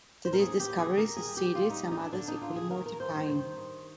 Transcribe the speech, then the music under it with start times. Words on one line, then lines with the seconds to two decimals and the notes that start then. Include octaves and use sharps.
To this discovery succeeded some others equally mortifying.
0.25 C5
0.33 A#4
0.39 D#2 G#4
0.60 G4
0.68 D#2
0.78 G#4
0.98 D#2 A#4
1.16 G#4
1.27 G3
1.37 G4
1.55 G3 F4
1.70 D#4
1.84 D2
1.91 D#4
1.99 D4
2.13 D3 D4
2.28 D#4
2.41 D2 F4
2.56 G#4
2.71 D#3 A#4
2.86 A#4
3.00 G2 C5
3.14 C5
3.29 D#3
3.58 D#3